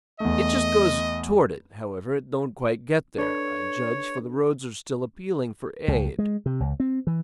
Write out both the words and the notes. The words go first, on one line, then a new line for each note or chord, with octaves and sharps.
It just goes toward it, however; it don't quite get there, I judge, for the roads are still appealing for aid.
E2 A3 D#5
D4 A4 B4 C#5
C#2
G#3
C3
C#2
C4
E3